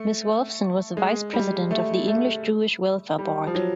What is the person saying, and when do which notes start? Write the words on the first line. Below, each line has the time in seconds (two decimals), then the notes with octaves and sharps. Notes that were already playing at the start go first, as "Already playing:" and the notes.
Mrs Wolfson was a Vice-President of the English Jewish Welfare Board.
Already playing: A3
0.97 G#3
1.33 G3
1.71 A3
2.08 A3
3.19 G3
3.47 F3
3.55 F#3